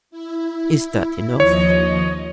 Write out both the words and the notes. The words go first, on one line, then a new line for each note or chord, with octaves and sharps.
"Is that enough?"
E4
D#2 F3 C#5 D#5